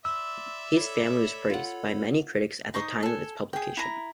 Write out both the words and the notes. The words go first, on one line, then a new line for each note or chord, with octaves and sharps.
"His Family" was praised by many critics at the time of its publication.
D5 E5 B5 C6 E6
A4 C#5 B5
F4 F#5
D#4 C5 C#6 D#6
A4 G#5
G#4 G5
E4 A#5